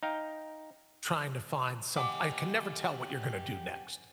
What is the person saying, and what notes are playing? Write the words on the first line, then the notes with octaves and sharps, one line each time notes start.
trying to find some I can never tell what you're gonna do next.
D#4 F5 G5
G4 D#5 F#5 G#5 D6